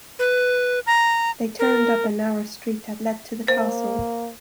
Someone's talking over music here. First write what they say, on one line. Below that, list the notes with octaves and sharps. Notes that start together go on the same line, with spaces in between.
They turned up a narrow street that led to the Castle.
B4
A#5
A#4
A#3 C5